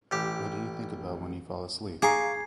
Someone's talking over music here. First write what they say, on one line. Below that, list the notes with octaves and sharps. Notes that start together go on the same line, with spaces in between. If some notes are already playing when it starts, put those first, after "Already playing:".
What do you think about when you fall asleep?
A1 G4
G#4 F5 G#5 A#5 C#6 D6 G#6 C7